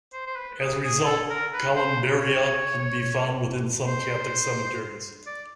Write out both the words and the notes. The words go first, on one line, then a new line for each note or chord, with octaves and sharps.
As a result, columbaria can be found within some Catholic cemeteries.
C5
C5
B4
G#4
G#4
A4
A#4
B4
C5
C#5
C5
D5